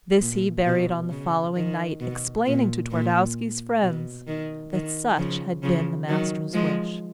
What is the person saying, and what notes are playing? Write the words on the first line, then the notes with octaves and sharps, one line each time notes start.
This he buried on the following night, explaining to Twardowski's friends that such had been the master's wish.
A#2
B2
C#3
D#3
B2
A#2
A#2
B2
D#3
D#3
C#3 F3
C#3 F3
D#3 F#3
F3 G#3